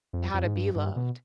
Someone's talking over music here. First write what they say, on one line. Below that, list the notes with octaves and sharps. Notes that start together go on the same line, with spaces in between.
How to be loved.
F2
F2
G#2
G2
G2
B2